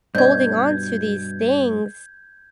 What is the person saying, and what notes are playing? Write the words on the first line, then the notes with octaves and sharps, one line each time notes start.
holding onto these things
G2 B2 C5 D5 D#5 G6 G#6